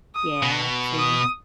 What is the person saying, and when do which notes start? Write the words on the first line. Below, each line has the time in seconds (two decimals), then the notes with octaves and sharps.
Yeah, same.
0.15 D#6
0.42 B2
0.99 D#6